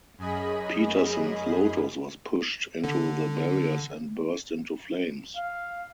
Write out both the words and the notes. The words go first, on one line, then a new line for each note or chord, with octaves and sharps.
Peterson's Lotus was pushed into the barriers and burst into flames.
F#2 G#4 D#5 B5
D3
F5